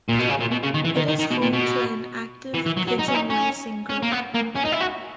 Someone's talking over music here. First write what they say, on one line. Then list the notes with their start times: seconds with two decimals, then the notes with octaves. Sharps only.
It is home to an active pigeon racing group.
0.09 A#2
0.19 B2
0.29 C#3
0.40 A#2
0.51 B2
0.63 C#3
0.74 D#3
0.85 E3
0.97 D#3
1.08 D#3
1.19 D#3
1.30 B2
1.42 A#2
1.53 B2
2.54 E3
2.66 E3
2.77 F#3
2.88 F#3
2.99 D#4
3.08 C#4
3.14 D#4
3.30 C#4
3.90 C#4
4.03 A#3
4.12 B3
4.34 A#3
4.56 C#4
4.65 D#4
4.72 E4
4.80 F#4